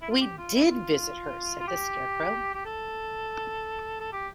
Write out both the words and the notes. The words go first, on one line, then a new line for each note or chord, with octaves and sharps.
"We did visit her," said the Scarecrow.
E4
F4
G4
F4
E4
F4
F4
G4
G4
A4
A4
G4